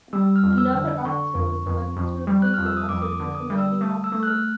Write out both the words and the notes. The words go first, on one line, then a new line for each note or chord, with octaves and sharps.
Another officer was selected to replace him as her new commanding officer.
G3 E6
F6
F2
F6
E6
D3
D3 C#6
F2
F2
F2
G3
F#6
F2 F6
E6
D#6
F2 D6
D#6
D6
D3
D#6
G3
E6
A3 D#6
E6
A3
F#6
F6